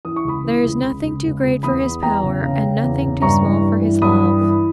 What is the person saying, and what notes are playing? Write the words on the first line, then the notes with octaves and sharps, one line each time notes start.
"There is nothing too great for his power, And nothing too small for his love!"
E3 D#6
C#6
C#2 B5 D#6
E3
C#2
C#2
C#2
C#2
C#2
E2 B5 D#6
E2
E2 G5 A#5
C#3
C#3
C#3
E2
C#3
G2 A#5 C#6
E3
G2
E3
G2 B5 D#6
E3
E3